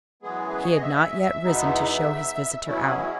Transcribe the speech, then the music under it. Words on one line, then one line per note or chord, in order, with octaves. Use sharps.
He had not yet risen to show his visitor out.
F#2 E3 G#3 B3 G#4
B4
C#5
D#5
E5
E2 B2 G#3 B3 D#4
B2 F#3 C#4 E4
G#4
F#4